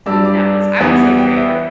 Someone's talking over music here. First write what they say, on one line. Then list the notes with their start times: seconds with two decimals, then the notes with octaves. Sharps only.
food that was, I would say, rare.
0.06 G2 G3 D4 E6
0.25 D6
0.80 E2 E3 G3 B3
1.18 G5
1.37 E5
1.49 B4